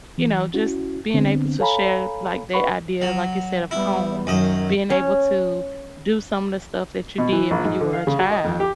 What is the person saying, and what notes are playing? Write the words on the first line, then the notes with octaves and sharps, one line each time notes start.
you know, just being able to share, like, the idea like you said of home, being able to do some of the stuff that you did when you were a child.
E3
C#4 E4 F#4
D3 B3 C4 D4
A4 C#5 F5 G#5 A#5 B5
B4 F#5 B5 C#6
F#3
G3 B3 E4
F#2 D#3 F#3 D#5
C#4 C#5
B2
E3
A#1
G#2
D3
F5
C#3
F#4
D#5
F2
G4